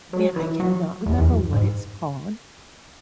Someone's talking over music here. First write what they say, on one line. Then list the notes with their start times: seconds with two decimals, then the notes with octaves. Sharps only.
man, I cannot remember what it's called,
0.13 F#3
0.36 E3
0.60 F#3
1.06 E2
1.18 E2
1.29 F#2
1.53 G#2